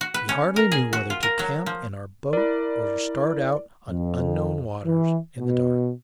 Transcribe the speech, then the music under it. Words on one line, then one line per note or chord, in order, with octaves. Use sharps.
We hardly knew whether to camp in our boat or to start out on unknown waters in the dark.
F#4
B4
C#4
A#4
G#4
F#4
F4
A#4
F#3
F3
E4 A#4 D5
F2
E3
B2